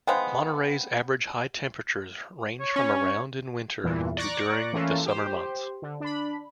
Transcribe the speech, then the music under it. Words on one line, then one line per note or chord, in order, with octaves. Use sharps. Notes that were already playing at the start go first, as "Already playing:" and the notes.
Monterey's average high temperatures range from around in winter to during the summer months.
G#3 B3 C5 F5 G5
C#5
C#4
E2 G2 A#2 E3
D5 A#5 C#6 D6 F#6 A#6
E3 A3 A#3 C#4 F4
G4 C5
D3
D4 B5